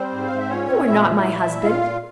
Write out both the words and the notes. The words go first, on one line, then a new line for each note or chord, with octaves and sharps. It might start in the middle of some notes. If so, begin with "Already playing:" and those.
'You are not my husband!'
Already playing: G3 C4 C5
G#2
F5
G#2
E5
A#2 C#4 C#5
C4
A#2 E4 E5
F3
A#2
A#2
A#2 F4 F5
A#2